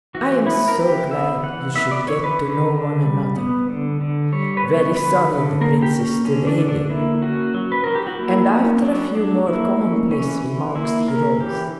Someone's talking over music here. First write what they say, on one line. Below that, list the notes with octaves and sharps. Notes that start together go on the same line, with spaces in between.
"I am so glad you should get to know one another... very sorry the prince is still ailing," and after a few more commonplace remarks he rose.
E3 F#4
B3 E4
A#4
E3 G4
B3 E5
E3 F#5
B3 E5
D5
E3 C#5
B4
D3
D3
G3
B3
D3
D3
G3 C#5
B4
B3 C#5
D3 B4
D3
A#3 A#4
G4
C#4
D3 C#4
D4
D3
D4
A#3 E4
C#4 F#4
F#3
B4
F#3 A#4
G4
F#4
A#3 E4
C#4
F#3 D4
F#3 D4
A#3 E4
C#4
E3 C#4
E3
A#3 E4
C#4 A#4
E3 G4